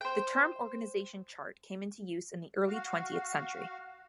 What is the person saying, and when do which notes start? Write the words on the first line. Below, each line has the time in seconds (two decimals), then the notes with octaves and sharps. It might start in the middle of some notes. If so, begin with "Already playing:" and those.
The term "organization chart" came into use in the early twentieth century.
0.01 C5 G5
2.68 F#4 F5